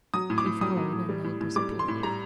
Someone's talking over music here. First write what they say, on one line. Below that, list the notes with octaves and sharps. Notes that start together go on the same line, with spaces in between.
She followed, and they disappeared.
F#3 D#6
A2
D6
A2
F#3 D#6
F#3
A2
G3
A2
A2
G3 D6
G3
C6
A2
G3 A#5